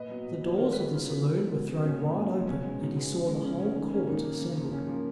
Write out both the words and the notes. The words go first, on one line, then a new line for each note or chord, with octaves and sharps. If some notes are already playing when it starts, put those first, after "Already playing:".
The doors of the saloon were thrown wide open and he saw the whole court assembled.
Already playing: A#2 B4 D#5
F#3 B3
A#2
F#3 B3
D#3 A#4 C#5
F#3 B3 G#4 B4
D#3 C#4 F4
F#3 B3 D#4
C#3
F#3 B3
C#3
B3
F#3
A#2 C#4
F3 B3
A#2
F3 B3
B2 C#4
G#3 B3
B2 D#4
G#3 B3
C#3
G#3 B3
C#3 C#4
G#3 B3 C#4
D#3
A#3 C#4
D#3 D#4
A#3
C#3
F3 A#3
C#3 C#4
F3 A#3